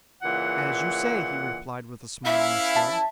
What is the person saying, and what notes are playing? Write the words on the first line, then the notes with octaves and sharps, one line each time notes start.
"As you say," he replied with a smile and shrug.
A#2 C#3 E3 F#5
E3 C#4 E4 E5 F5
A5